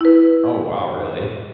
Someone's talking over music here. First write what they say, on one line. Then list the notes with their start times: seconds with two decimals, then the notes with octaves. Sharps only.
Oh, wow, really?
0.01 E4 B4